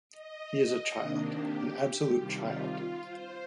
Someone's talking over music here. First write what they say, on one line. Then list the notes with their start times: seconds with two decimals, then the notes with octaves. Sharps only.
He is a child — an absolute child.
0.11 D#5
0.99 C3 D#3 A#3 D4
1.28 G4
1.87 G4
2.16 C3 D#3 G3 F4
2.45 F4
3.04 C5